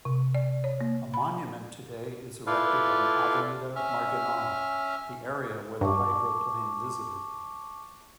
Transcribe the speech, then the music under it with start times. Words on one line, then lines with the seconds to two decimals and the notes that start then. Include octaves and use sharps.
A monument today is erected on Avenida Marginal, the area where the hydroplane visited.
0.05 C3
0.35 D5
0.64 C#5
0.81 A#3
1.14 B5
2.47 E4 F4 A4 B4 D5 F5
3.76 C#4 E5 F6
5.81 G2 A5 C#6 D6